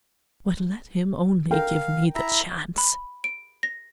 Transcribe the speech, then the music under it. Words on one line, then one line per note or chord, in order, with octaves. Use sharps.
But let him only give me the chance!
A#4 F5 G5
E4 E5 A#5
B5
D7
A#6